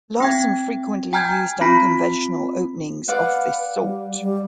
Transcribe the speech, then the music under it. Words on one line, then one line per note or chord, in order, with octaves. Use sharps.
Larsen frequently used unconventional openings of this sort.
C4 G5 G#6
G5 G#5 A#5 F6 G6 G#6
C4 F4 A#5 B5 B6
B4 D5 F5 F#5
G3
G3